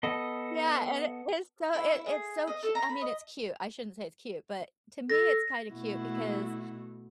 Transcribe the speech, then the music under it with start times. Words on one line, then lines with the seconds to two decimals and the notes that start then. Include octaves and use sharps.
yeah, and it is so it it's so cu I mean, it's cute, I shouldn't say it's cute, but to me, it's kinda cute because,
0.03 B3 A4 D#5
1.75 E4
1.94 E4
2.06 G#4
2.47 D#5
2.62 A4
2.75 A#5
2.89 B5
3.01 D#5
5.10 A4 A#6
5.72 B2 A3 E4 F#4